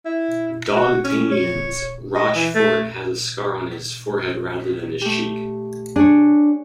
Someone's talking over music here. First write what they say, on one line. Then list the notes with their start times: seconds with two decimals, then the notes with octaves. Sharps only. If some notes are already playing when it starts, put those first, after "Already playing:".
"Dogtanian"s Rochefort has a scar on his forehead rather than his cheek.
0.05 E4
0.76 F#4
1.04 C#4
1.32 C#5
2.15 D#5
2.36 E3
2.55 A3
5.02 A3 G4
5.96 D4 G#4 C#5